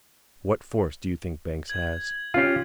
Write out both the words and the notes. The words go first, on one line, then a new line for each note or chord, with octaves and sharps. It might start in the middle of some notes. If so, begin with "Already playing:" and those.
"What force do you think Banks has?"
G#6 F#7
C#4 F4 G4 F5